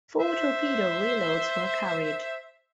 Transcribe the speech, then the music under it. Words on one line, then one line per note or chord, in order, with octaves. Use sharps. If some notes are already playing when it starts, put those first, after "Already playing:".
Four torpedo reloads were carried.
C5 E5